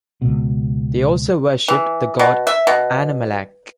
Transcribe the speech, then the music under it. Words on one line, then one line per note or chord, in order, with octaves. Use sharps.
They also worshipped the god Anamelech.
C#2 B2
E3
B2
E5
B2